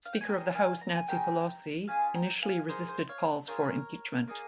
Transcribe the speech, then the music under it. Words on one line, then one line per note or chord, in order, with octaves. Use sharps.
Speaker of the House Nancy Pelosi initially resisted calls for impeachment.
F5
G5
G#5
C#4 G#4 G5 A#5
F5 G#5
A#5
G#5
C#4 F4 G#4 G5 A#5
C#4 F4 G#4 F5 G#5
G5 A#5
F5 G#5
A#3 D#4 G#4 C5
C5
C#5 F5
C4 F4 G#4 A#4 C#5
A#3 D#4 G#4